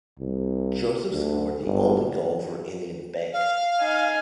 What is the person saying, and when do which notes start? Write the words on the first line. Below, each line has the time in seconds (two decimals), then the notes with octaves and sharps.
Joseph scored the only goal for Indian Bank.
0.20 C2
1.12 D2
1.64 G1
3.33 F5
3.80 D#4 G#5